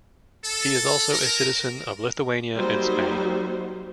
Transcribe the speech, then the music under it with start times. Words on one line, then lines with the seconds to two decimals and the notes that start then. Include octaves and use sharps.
He is also a citizen of Lithuania and Spain.
0.44 A4
1.11 A#4
2.55 F#3 G3 A#3 D#4 C5